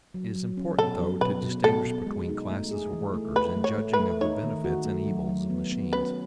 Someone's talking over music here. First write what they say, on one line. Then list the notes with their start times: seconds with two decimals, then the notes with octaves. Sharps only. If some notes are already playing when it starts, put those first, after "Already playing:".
It is important, though, to distinguish between classes of workers in judging of the benefits and evils of machines.
0.14 F#3
0.36 F#3
0.57 C#4
0.78 B2 A4
1.00 F#3
1.21 B2 B4
1.43 B2
1.64 B2 A4
1.86 B2
2.07 G#3
2.29 D#4
2.50 A3
2.71 G#4
2.93 E3
3.14 A3
3.36 A3 B4
3.57 A3
3.64 C#5
3.78 A3
3.93 B4
4.00 A3
4.21 D#4 C#5
4.43 D#3
4.64 F#4
4.85 A3
5.08 F#3
5.29 F#3
5.50 B3
5.72 B3
5.93 C#4 B4